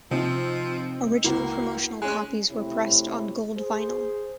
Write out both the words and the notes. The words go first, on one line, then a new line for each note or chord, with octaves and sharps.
Original promotional copies were pressed on gold vinyl.
C3 F3 C4 D#4
C#2 A#3 E4 F#4
G#3 C#4 G#5 F#6
C3 A3 E4 C#5
G#4 C5